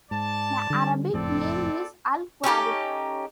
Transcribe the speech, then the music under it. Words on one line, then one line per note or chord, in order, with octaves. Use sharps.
The Arabic name is Al-Quwarib.
G#2 D5 A5
D3 G3
F#1 F2 A2 C4 A4 D5
C#4 D#4 G4 A4